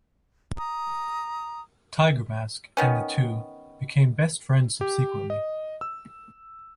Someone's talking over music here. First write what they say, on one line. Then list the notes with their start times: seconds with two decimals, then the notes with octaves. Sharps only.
Tiger Mask, and the two became best friends subsequently.
0.58 A#5 D#6
2.77 D#3 B3 C#4
4.81 G4
5.30 D#5
5.81 E6